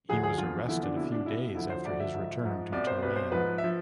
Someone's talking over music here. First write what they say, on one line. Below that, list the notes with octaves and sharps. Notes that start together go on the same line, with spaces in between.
He was arrested a few days after his return to Tehran.
D2 D3 F3 G#4
G#4
E2 D3 F3 F4
E2 D3 F3 E4
D4
C2 B2 E4
D4
C2 B2 E4
D2 D3 F3 E4
C5
D2 D3 F3 D5
E5
G#2 F3
G#2 F3
C2 B2 D5
C5
C2 B2 B4
C5
G#2 F3 B4
E5
F3